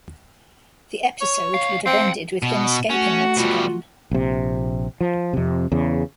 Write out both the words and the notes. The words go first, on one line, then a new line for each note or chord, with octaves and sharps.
The episode would have ended with him escaping once again.
C#5
C#2 F5
C4 F5 G5
B2
A3 C#4 F#4 F#5
B2 G3 F4
A#1 C3
F3
F2 C3
E2 C#3